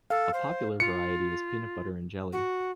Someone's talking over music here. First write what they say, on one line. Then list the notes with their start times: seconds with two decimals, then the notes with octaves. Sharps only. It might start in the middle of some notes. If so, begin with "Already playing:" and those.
A popular variety is peanut butter and jelly.
0.10 A4 F5
0.34 C5
0.80 F4 C#7
2.32 F#4